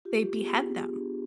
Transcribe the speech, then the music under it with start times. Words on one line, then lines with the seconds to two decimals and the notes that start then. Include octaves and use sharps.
they behead them.
0.05 F4 G4
0.23 G4
0.33 B3
0.42 G#4
0.61 B3
0.90 D4